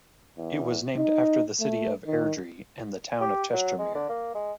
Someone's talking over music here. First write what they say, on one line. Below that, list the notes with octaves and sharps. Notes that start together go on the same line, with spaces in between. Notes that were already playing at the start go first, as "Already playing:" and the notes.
It was named after the city of Airdrie and the town of Chestermere.
E2
D#4
A3
D#3
G4
F#3
G#3
D3
A#3
G#3